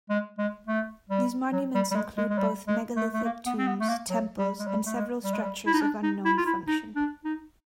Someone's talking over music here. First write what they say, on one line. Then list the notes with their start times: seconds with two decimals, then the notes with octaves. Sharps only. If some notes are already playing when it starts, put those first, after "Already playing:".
These monuments include both megalithic tombs, temples and several structures of unknown function.
0.10 G#3
0.39 G#3
0.67 A3
1.10 G3
1.53 F#3
1.75 G3
1.91 G3
1.96 G#3
2.17 G#3
2.30 G#3
2.38 G3
2.68 G#3
2.96 A3
3.14 A3
3.25 A#3
3.46 B3
3.58 C4
3.67 B3
3.80 A3
3.89 A#3
4.10 F#3
4.39 G3
4.59 G#3
4.67 G3
4.86 A3
4.96 G#3
5.24 G3
5.34 G#3
5.43 G3
5.67 E4
5.74 D#4
5.82 D4
6.03 D#4
6.25 E4
6.38 F4
6.46 E4
6.67 D#4
6.96 D4
7.25 D#4